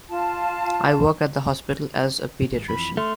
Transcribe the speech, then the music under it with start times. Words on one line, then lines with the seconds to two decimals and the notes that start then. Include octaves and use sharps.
I work at the hospital as a paediatrician.
0.09 F4 A5
2.52 A1 G#2
2.69 F2 E3 B5
2.97 A3 C6 F6